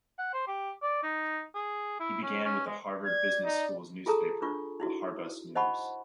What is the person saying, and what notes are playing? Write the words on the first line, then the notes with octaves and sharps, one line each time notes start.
He began with the Harvard Business School's newspaper "The Harbus News".
F#5
C5
G4
D5
D#4
G#4
E4
C#4
C#4
G#3
D5 G#6
D#4
F4 G#4 A4 A5 A#5 D#6
D4 F4 C#6
D#4 E4 F#4
C5 D#5 F#5 A5 B5 C#6